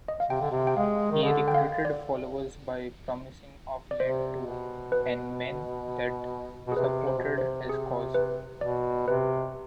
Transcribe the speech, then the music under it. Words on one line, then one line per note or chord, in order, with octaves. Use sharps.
He recruited followers by promising of land to any man that supported his cause.
D#5
F5
C3 G5
D3
C3
G5
G#3 F5
D#3
D3 D#5
G5
F5
D5
D5
C3 C5
B2
B4
B2
G#4
C3 B4
C5
B2
C3
C5
G#4
B4
B2 D5
C3 B4